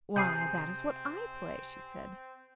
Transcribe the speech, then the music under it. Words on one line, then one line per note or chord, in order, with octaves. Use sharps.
'Why, that is what I play!' she said.
C3 C4 G#4 G6 C7